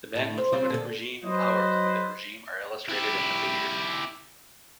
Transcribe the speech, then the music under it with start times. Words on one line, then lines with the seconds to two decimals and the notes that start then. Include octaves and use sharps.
The bandwidth-limited regime and power-limited regime are illustrated in the figure.
0.15 A2 A3
0.38 C5
0.52 G3 C4 F4
0.70 A#2 D3 A4
1.25 F#3 B4 C5 D#5
2.89 E4 G4